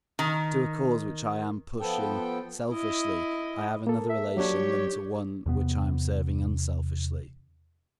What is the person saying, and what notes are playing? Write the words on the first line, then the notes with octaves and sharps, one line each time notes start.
To a cause which I am pushing selfishly I have another relation than to one which I am serving unselfishly.
D#3
F3 B3 A4 G5
E4 D#5
A#3 A4
E5
F#3 D4 G4 C#5
E2 C3 B3